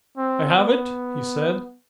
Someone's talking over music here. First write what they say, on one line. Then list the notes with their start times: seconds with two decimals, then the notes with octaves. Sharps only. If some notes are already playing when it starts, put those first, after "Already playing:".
"I have it!" he said.
0.17 C4
0.56 B3